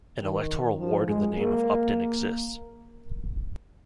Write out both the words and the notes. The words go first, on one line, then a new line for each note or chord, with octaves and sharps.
An electoral ward in the name of Upton exists.
D#3
F3
G#3
A#3